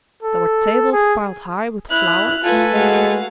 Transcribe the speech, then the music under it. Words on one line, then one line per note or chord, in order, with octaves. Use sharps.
There were tables piled high with flowers.
A4
G#4
E4 F6 F#6
A3 F4 A4 B4 G#5
G#3 F#4 F5